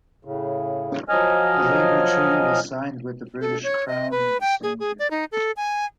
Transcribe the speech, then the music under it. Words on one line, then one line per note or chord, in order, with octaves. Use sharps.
A labour treaty was signed with the British Crown in the same year.
A2 C#3
F3 F#3 D#5 G#5 F6
A4
C#5
D#5
B4
G5
G#4
G#4
D5
D#4
A4
G#5